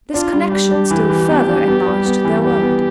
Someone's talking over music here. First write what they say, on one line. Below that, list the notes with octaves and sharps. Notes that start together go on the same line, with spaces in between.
This connection still further enlarged their world.
D4 F4
G3
G3 G4
D4
E3
E3
B3
D4
B3
G3
B3
E3
G3 G4
B3